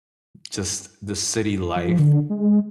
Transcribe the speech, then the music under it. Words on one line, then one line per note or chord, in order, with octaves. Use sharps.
just the city life,
F3
D3
G#3